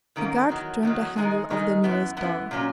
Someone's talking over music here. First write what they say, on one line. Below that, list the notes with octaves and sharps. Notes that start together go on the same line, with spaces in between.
The guard turned the handle of the nearest door.
G#2 D#3 A#3 C#4
E2 D#3 F#3
E2 D#3 F#3
D#3 G#3 D#4 G#4
D#3 G#3 D#4 G#4
F#2 E3 B3
F#2 E3 B3
A#2 F#3 C#4